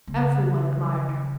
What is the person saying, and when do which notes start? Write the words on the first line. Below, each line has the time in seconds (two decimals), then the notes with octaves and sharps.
Every one admired her.
0.07 C#3